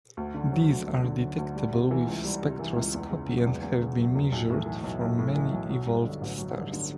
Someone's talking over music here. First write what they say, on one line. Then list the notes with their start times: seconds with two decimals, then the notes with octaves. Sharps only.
These are detectable with spectroscopy and have been measured for many evolved stars.
0.17 D2
0.34 D3
0.52 F#3
0.70 D2
0.86 D2
1.04 D3
1.21 F#3
1.38 D2
1.56 G3
1.73 C3
1.91 E3
2.08 C#2
2.24 G3
2.42 C3
2.59 E3
2.76 C#2
2.94 E2
3.11 C#3
3.28 F#3
3.46 E2
3.63 E2
3.81 C#3
3.97 F#3
4.15 E2
4.32 B1
4.50 A2
4.66 E3
4.84 B1
5.01 B1
5.19 A2
5.35 E3
5.52 B1
5.69 F#3
5.87 G2
6.05 D3
6.21 A1
6.38 F#3
6.56 G2
6.73 D3